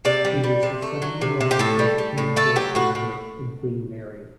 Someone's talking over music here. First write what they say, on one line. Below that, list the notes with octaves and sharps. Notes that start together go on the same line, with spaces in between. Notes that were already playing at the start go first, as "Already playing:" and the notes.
He was the son-in-law of King George the Fifth and Queen Mary.
C3 D5
G3
G3
C3
A3
F#3
C3
C3
G4
A2 A4
G3
G3
A2
A3 A4
F#3 G4
A2 F#4
A2